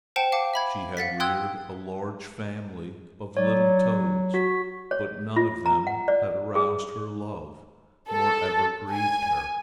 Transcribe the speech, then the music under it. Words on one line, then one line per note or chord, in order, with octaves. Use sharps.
She had reared a large family of little toads, but none of them had aroused her love, nor ever grieved her.
C5 F#5 G5 A5 E7
F5 F#5 A5 D6
E5 B5 G#6
F5 F#5 A6 B6
G5 C6 D#6 E6 F#6 G#6
F#3 C#5 D5
F#4 B6
C#5
F4
A#5
F#5
D5
G#4
A4
G#5